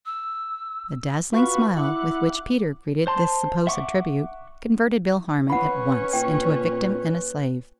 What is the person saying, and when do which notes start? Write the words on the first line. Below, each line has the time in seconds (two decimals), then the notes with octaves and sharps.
The dazzling smile with which Peter greeted this supposed tribute converted Bill Harmon at once into a victim and slave.
0.06 E6
1.33 F4 F#4 B4 C#6
1.77 E4 F#5 D6
3.07 C5 A5 C6
3.67 E5 F#5 C#6 D6
5.50 C#4 B4 C#5 F#5 B5
6.13 A#2 G5